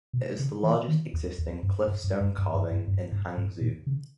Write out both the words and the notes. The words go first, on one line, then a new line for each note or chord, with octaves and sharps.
It is the largest existing cliff stone carving in Hangzhou.
B2
C#3
E3
D#3
E2
E2
G2
G#2
G2
G2
G2
G2
G2
G2
G#2
G#2
A#2
C#3